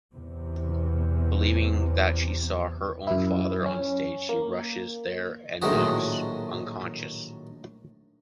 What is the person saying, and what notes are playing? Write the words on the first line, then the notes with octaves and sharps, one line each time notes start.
Believing that she saw her own father on stage, she rushes there and knocks unconscious.
E2 C3
F#2 E4
C#4
A#3
A#1 A2 D#3 F#3 F#4 G#4